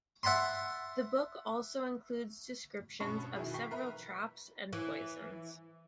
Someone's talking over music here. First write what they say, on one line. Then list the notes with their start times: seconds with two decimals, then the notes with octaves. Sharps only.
The book also includes descriptions of several traps and poisons.
0.23 E5 F#5 A5 B5 C6
3.00 G2 B2 C#4 A5 B5 C#6
3.36 B2 D#3 E4 F#4 G#4
3.54 G5 C#6 B6 C7
3.71 A#4 B4 E5 B5
4.73 E3